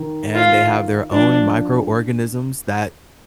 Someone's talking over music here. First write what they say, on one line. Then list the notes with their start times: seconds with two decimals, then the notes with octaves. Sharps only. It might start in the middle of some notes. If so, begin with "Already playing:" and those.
and they have their own microorganisms that
Already playing: D#3
0.35 F4
1.11 F3 D4